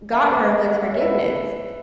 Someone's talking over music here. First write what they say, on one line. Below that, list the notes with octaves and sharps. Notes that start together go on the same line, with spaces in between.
got her was forgiveness.
E5 A5
F#5
B4 E5
F#5
E5
C#5
B4 E5